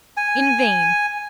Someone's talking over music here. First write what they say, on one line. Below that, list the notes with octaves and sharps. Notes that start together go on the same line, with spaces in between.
In vain!
G#5